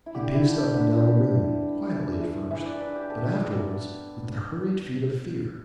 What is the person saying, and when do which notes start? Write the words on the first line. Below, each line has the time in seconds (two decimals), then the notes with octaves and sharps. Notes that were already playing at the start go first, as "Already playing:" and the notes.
He paced up and down the room, quietly at first, but afterwards with the hurried feet of fear.
0.06 E4
0.15 D3 G4
0.34 E4
0.44 D3
0.50 G4 A4
0.74 D3 B4
1.03 D3
1.32 E4
1.62 G3
1.91 E3
2.21 E4
2.51 E3 E5
2.61 B4 D5
2.80 D4 B4
2.95 G4
3.09 B3 A4